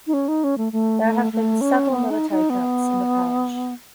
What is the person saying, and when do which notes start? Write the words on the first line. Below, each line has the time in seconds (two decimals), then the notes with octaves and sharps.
There have been several military camps in the parish.
0.07 D#4
0.13 C#4
0.28 D#4
0.44 C#4
0.58 A3
0.72 A3
1.03 A3
1.32 A3
1.61 C#4
1.91 B3
2.10 D#4
2.30 D#4
2.50 B3